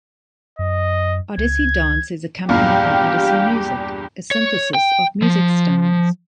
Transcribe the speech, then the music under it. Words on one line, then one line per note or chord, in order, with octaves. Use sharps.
Odissi dance is accompanied by Odissi music, a synthesis of music styles.
F#2 D#5
C#2 G#6
E2 G2 A#2 G4 F5
C#5
G5
F3